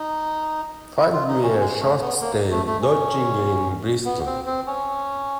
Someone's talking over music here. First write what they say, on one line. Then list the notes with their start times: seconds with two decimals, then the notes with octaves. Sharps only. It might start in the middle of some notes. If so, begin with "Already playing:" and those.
Find me a short stay lodging in Bristol.
Already playing: D#4
0.97 E4
1.13 F4
1.28 D#4
1.44 C#4
1.60 G#3
1.80 A3
2.01 B3
2.21 A#3
2.51 A3
2.67 A3
2.82 C#4
4.05 B3
4.26 C4
4.46 C4
4.67 C#4